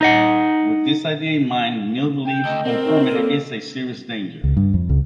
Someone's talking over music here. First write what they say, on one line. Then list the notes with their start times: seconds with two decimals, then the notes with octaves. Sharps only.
With this idea in mind, Mill believes conformity is a serious danger.
0.01 D#4 D#5 F#5
2.25 G5
2.45 D2 A4 D#5
2.65 G3 C4 A4 A#4
2.85 F#2 A3 D#4
3.12 A2 G3 A#3 A4
4.44 C#2
4.57 G2
4.74 F2
4.89 C#2